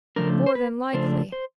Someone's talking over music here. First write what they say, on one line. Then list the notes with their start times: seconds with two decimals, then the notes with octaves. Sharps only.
"More than likely."
0.16 C#3 F3 A3 D4 A#4
0.46 C5
0.55 B4
0.93 C#3 F3 A3 D4 C5
1.32 C5